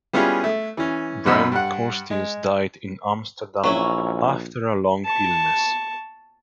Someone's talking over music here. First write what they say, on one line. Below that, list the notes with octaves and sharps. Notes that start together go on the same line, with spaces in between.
Brandt Corstius died in Amsterdam after a long illness.
G3 B3 C#4 E4 F4 G#4
A3
E3 C#4
F#2 B2 D#4 F#5 B5 E6
G2 F#5
G#3
A#1 F#3 C#4 E4
A5 C#6